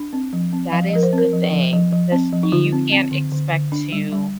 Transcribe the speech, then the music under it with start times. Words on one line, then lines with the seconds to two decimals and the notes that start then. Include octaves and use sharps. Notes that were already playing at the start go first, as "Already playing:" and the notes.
that is the thing. This you can't expect to
Already playing: D4
0.13 C4
0.33 F3
0.53 C4
0.72 F3 F5
0.88 D#5
0.93 F3 A#4
1.03 C5
1.13 C4
1.18 A#4
1.33 F3
1.53 F3
1.73 F3
1.92 F3
2.12 C4
2.32 F3
2.43 D#4
2.52 D3 F4
2.72 C4
2.92 C4
3.12 D3
3.32 D3
3.53 D3
3.72 D4
3.92 G3
4.12 G3